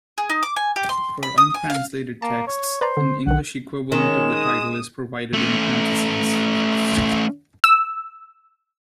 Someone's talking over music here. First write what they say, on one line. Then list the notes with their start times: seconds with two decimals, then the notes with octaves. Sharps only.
For untranslated texts, an English equivalent of the title is provided in parentheses.
0.18 G#4
0.30 D#4
0.43 D6
0.56 G#5
0.76 G4
0.89 C6
1.23 B5
1.38 D#6
1.54 G#5
1.70 F5
2.22 A#3 A5
2.47 C#5
2.81 B4 C5 D5 A#5
2.97 D3
3.27 B1 D#3 F#5
3.92 D#3 G#3 C#4 E7
4.33 D#6
5.33 A3 C#4
7.64 E6